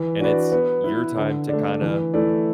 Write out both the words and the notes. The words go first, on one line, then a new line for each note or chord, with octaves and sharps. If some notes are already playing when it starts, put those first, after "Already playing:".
and it's your time to kinda
Already playing: E3
D4 F#4 B4 D5
B3
E4 B4
D3
A3 D4
E3
A3 E4 D5